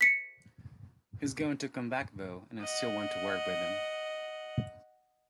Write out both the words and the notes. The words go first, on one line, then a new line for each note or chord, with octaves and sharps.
He's going to come back though and I still want to work with him.
B6 C#7
D#5 F#5